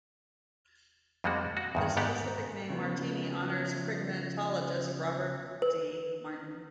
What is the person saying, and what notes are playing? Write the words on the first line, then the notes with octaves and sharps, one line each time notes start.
The specific name, "martini", honors primatologist Robert D. Martin.
F2 G3 G#3 A#3 F#4
F#4
E2 G2 D#3
G#2 B3 G4 D5 F#5
C#3 F3 B3
B4